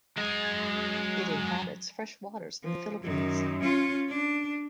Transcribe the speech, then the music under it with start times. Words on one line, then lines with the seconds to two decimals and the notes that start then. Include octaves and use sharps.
It inhabits freshwaters in the Philippines.
0.18 F#3 G#3 G#5
2.64 F3
3.03 F#2 D#3
3.62 C#4 F4
4.08 D4